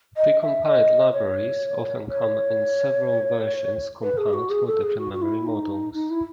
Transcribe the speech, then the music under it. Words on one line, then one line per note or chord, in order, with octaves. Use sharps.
Precompiled libraries often come in several versions compiled for different memory models.
D#5
E5
D#5
C#5
C#5
B4
G#4
F#4
G#4
A4
G#4
F#4
F#4
E4
D#4
D#4
E4